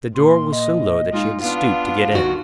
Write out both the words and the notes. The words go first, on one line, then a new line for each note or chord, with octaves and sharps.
The door was so low that she had to stoop to get in.
A#2 C6
D#5
G#3 D#4 F4
B3 D4 F4 F5
D#3 F#4